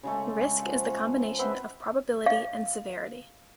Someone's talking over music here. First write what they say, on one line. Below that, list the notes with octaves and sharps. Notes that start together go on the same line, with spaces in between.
Risk is the combination of probability and severity.
C#3 G#3 A3
F3 F#5
B3 C4 C5 E5
F5